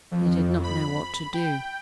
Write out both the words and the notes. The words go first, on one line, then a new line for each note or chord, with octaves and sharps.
He did not know what to do.
F2
B5
G5